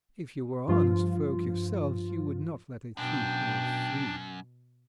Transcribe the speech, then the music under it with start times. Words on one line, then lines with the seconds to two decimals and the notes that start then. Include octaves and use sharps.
"If you were honest folk yourselves, you would not let a thief go free."
0.68 G2 F3 F4
2.97 F#2 B2 D4 G5